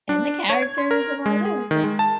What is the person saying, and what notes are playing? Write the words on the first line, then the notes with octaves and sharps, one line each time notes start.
And, the characters and all this, and
D4
C#5
G#6
C6
A#4
G#3
G#4
D#3
G#3
A5